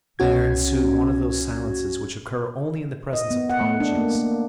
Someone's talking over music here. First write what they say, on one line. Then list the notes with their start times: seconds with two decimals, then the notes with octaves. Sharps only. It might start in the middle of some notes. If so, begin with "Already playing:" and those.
There ensued one of those silences which occur only in the presence of prodigies.
0.19 C2 C#4 F#4 G#6
3.13 D#5
3.31 B3
3.50 F#5
3.61 A3
3.80 D4
3.95 A#3
4.15 A#3